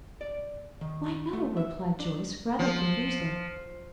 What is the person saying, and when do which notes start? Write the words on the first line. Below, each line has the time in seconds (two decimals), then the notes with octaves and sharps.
"Why, no!" replied Joyce, rather confusedly.
0.21 D5
0.81 D#3
1.33 A3
1.57 E5
1.99 D4
2.59 F3